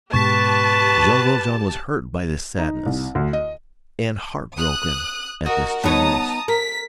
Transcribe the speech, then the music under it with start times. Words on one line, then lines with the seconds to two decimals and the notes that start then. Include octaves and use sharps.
Jean Valjean was hurt by this sadness, and heart-broken at this gentleness.
0.13 G#2 B2 G4 B4 A5 C#6 B6
2.58 D#4
2.86 C2
3.15 D2
3.33 D#5
4.55 D#6 F#6
5.46 F#4 A#4 D#5
5.84 B3 D#4 C#5 A5 A#5 D#6
6.48 A#4 B6